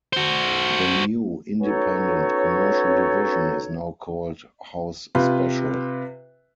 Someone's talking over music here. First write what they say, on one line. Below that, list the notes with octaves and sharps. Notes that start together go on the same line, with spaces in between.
The new independent commercial division is now called HouseSpecial.
F#4 C5
B3 C#4 D#4 F#4 A4 C#5
C3 F4 B4